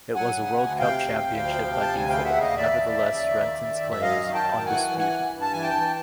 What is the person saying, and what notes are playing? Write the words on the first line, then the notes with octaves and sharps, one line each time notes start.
It was a World Cup Championship by default - nevertheless Renton's claim is undisputed.
F#3 F#5 G#5
C#3
D2
C3 F5 G5
D2
D2
F3
C3
A5
D2
G#5
C#3 F5 G5
E5 F#5
D#2
D#5 F5
D#2
D5 E5
F3
C#3
D#2
D#3
F#2
F#2
E5
F#3 D#5 F5
D#3
G5 A5
F#2
E3 F#5 G#5
E3
F#5 G#5
G2
G2
A5
E3 G#5
G5 A5
E3